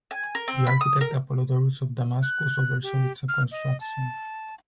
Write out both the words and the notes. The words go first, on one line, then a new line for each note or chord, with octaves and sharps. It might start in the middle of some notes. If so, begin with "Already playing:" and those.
The architect Apollodorus of Damascus oversaw its construction.
G#5
A#4
C4
B5
D#6
A#4
F#6
G4
F6
D#5
A5